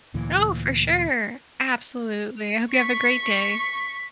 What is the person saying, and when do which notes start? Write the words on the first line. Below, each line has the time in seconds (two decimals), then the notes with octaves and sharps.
Oh, for sure. Absolutely. I hope you have a great day.
0.14 D2 A#2 E3
2.73 C#6 B6